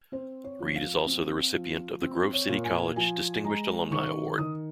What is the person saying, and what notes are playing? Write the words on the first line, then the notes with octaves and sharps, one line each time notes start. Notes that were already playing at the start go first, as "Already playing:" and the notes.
Reed is also the recipient of the Grove City College Distinguished Alumni Award.
C4 C5
C#5
F3
F5
C4
F3
C4
C#5
A#2
G#5
F3 G#5
G#3 A#5
D#3 C#6
D#3 D#6